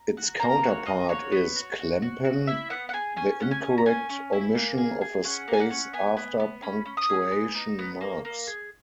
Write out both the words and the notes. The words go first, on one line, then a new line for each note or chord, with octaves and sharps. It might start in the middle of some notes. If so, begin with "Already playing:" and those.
Its counterpart is Klempen, the incorrect omission of a space "after" punctuation marks.
Already playing: A#5
F#4
A#3 A#5
F#4 C#5
A#3 D#5
F#4 C#5
B3
F#4
F#4
F#4
F#4
E4 E5
B3 F#5
F#5
G#4 G#5
C#4 G#5
C#4 F#5
G#5
C#4
A#5
C#4 G#5
C#4
E4
A#3
G#4
G#4
C#4 F#5
A#3
G#5
F#5
C#4
B3 G#5
B3
B3
C#4 B5
C#4
D#6
G#4
B3
D#4
B3
A#3
A#3
G#4